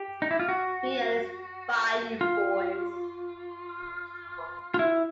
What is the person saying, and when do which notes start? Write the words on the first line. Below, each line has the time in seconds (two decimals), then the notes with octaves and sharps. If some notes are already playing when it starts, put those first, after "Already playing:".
B. and his Bayou Boys.
Already playing: G4
0.22 D#4
0.31 E4
0.39 F4
0.48 F#4
2.21 F4
4.74 F4
4.79 E4